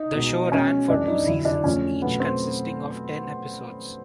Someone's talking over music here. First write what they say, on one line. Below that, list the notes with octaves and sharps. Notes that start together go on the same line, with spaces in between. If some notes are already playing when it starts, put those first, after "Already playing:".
The show ran for two seasons, each consisting of ten episodes.
Already playing: D#4
B2 G#3
B2 G#3 C#4
F#2 C#3 E3 G#3 D4
D#4
F2 D3 F#3 E4
D4
F2 C#3 F3 A3 C#4
B2 F#3 A3 B3
C4